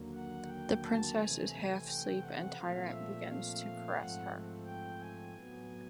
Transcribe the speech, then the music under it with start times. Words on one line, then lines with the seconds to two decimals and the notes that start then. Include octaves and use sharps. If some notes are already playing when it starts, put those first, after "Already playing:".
The princess is half sleep and Tirant begins to caress her.
Already playing: D#2 D3 F#3 A#3
0.13 F#5
0.48 G5
0.83 A5
1.17 C3 E3 A3 C4 G#5
1.52 G#5
1.87 G5
2.22 F#5
2.56 A#2 F3 A3 C4 F5
2.91 E5
3.26 F5
3.95 G#2 F3 A3 C4 F#5
4.66 G5
5.00 G#5
5.35 A2 F#3 B3